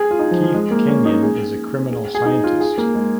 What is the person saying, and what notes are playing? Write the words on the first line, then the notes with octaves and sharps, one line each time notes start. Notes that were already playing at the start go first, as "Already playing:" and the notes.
Keith Kenyon is a criminal scientist.
Already playing: G#4
F4
D#4
F3
F3
G#3
A#3
C#4
D#4
G#4
G#4
G#4
D#4
F4
G#4
A#3
G#3